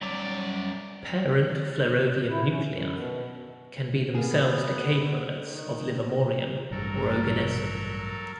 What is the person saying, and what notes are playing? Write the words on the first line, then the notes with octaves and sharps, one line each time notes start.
Parent flerovium nuclei can be themselves decay products of livermorium or oganesson.
F#2 G3 C#5 D5 A#5
E4
C#4
F#2
B2
A#3 B3 G#4
D#3
A1 G2 F#3 A4 A#4